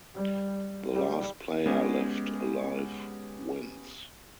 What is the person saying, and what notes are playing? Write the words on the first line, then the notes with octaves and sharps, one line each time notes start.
The last player left alive wins.
G3
G3
G#3 B3 C#4 G4